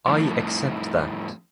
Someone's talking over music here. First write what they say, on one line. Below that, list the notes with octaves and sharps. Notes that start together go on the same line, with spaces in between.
I accept that.
F2 A2